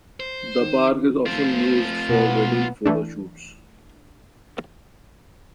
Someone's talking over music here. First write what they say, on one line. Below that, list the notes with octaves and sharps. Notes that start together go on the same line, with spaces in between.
The park is often used for wedding photo shoots.
C5
D#3
A3 C4 F4 C5
B2 B3
E3 A3 D4